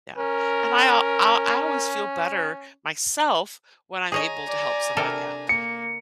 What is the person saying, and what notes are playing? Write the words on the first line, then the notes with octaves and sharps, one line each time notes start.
Yeah, and I I I always feel better myself when I'm able to help somebody out.
C#4 A#4
G#4 C#5 D#5 G#5 A#5
D5
C3 D4 A4 A#4
A#3 C#7